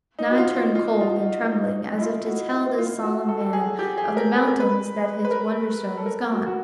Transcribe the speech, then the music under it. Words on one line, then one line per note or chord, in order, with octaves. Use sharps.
Nod turned cold, and trembling, as if to tell this solemn Man of the Mountains that his Wonderstone was gone.
D#4
F#4
F4
F4
F4
F4
D#4
E4
F4
F#4
E4
F4
F#4
A4
A4
G#4
G4
G#4
A#4
B4
A#4
B4
B4
A#4
A4
A#4
F#4
F#4